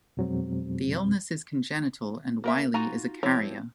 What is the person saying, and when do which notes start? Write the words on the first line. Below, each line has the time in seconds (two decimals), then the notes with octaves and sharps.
The illness is congenital and Whiley is a carrier.
0.17 F2 B2 F#3 G#3 C4
2.44 A#3 A#4 E5
2.74 D#4 F4 F#4 G#5 A#5
3.23 F3 C4 E4 G4 C#5